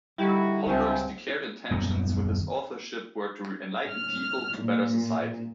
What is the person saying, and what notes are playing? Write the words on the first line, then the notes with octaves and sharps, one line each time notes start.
Holberg's declared intentions with his authorship were to enlighten people to better society.
D3 D#3 G3 E4 F#4 G4
C#2 F3 C4 G#4 E5
D#1 F#2 B3
F6
A#2